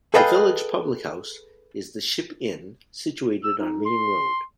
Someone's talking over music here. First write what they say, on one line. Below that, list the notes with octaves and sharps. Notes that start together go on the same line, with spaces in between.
The village public house is the Ship Inn, situated on Main Road.
G#4 A4 B4 D#5 F5 G5
E6
D#4
C6